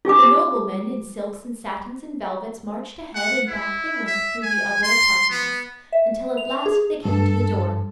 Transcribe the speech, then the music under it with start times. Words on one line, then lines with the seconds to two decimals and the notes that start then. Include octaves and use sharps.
The noblemen, in silks and satins and velvets, marched ahead, and back they went through the other apartments, until at last they came to the door.
0.05 F4 G4 G#5 D6
3.14 F#5
3.47 E4
4.06 E5
4.43 G#5
4.83 C6
5.30 B3
5.92 E5
6.37 F7
6.66 G#4
7.05 G2 A4